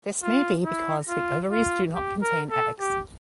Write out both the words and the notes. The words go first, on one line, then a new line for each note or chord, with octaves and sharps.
This may be because the ovaries do not contain eggs.
F4
E4
F4
F4
G4
A#4
A4
G4